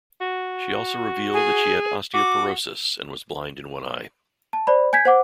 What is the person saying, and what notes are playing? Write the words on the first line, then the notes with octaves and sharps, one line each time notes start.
She also revealed that she had osteoporosis and was blind in one eye.
F#4
G#4
F#4 D6
A5
C5 D5 B5
G#5 G6 G#6 B6
C5 F#5 D6